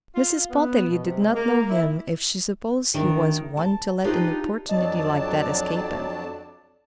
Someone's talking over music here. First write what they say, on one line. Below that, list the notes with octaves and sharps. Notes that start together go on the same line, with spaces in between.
Mrs. Pontellier did not know him if she supposed he was one to let an opportunity like that escape him.
F4
B3
B2
C3
G#3
A#3
E4
D2 D#3 D4
A5
D4 D#4 F4 G4 B4
F2 F#3 D4 D5 D#5 A5